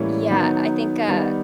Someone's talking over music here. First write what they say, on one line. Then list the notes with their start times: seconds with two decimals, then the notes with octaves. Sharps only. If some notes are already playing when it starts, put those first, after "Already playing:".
Yeah, I think, uh,
Already playing: A2 E3 G3 A#3 C#4
0.31 D#3 F#3 B3 D#4
1.08 D#3 G3 B3 D#4